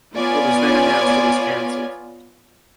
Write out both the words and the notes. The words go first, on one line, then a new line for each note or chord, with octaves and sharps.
It was then announced it was cancelled.
B3 F4 C#5 D5 G#5